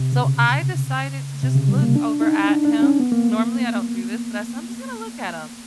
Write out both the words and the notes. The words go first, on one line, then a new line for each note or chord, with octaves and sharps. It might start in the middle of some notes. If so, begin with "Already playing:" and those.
So, I decided to just look over at him. Normally, I don't do this, but I said, "I'm just gonna look at him."
Already playing: C3
C#3
C3
C#3
G3
A#3
D4
D#4
D4
D4
C#4
B3
A#3